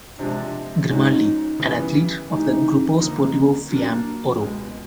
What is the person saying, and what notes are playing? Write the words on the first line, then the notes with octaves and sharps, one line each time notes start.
Grimaldi an athlete of the Gruppo Sportivo Fiamme Oro.
C3 F3 G#3 D4
G#2 F3 G#3 C#4 D#4 F#4
C#3 E3 G3 B3
A2 E3 G3 D#4
D3 F3 A#3 D#4
A#2 F#3 A#3 D4
C#2 B2 G#3